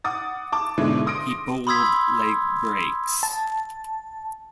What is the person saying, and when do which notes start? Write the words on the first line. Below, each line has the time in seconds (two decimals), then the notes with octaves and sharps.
He bowled leg breaks.
0.04 F#5 D6 D#6 A6
0.52 A5 D6
0.78 G#2 B2 D3 G#3 D4 E4
1.06 C6 D#6 A#6 D7
1.67 B5 C6 D#6 E6 G#6 B6
3.23 A5